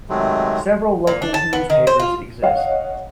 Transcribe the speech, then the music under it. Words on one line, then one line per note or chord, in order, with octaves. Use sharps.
Several local newspapers exist.
C3 D#3 F#3 G#3 A3
A#2
D4
A5
B3
D#3
C5
F4
C#5 D#5 F5 F#5